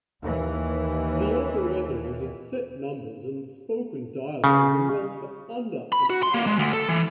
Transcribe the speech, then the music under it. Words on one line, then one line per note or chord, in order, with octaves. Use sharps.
The operetta uses set numbers and spoken dialogue and runs for under an hour.
D#2 E3
C#3
B5
F#4
C6
A#3
G#3
D2
A4
E3